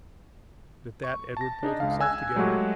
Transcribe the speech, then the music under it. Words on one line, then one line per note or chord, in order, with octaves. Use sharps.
But, at that Edward pulled himself together.
C#6
A5 A#6
D4 D#4 G#4 D#5
C#2 D4 F5
G#5 E6 F#6 G#6
F#3 G#3 A3 F#4 G4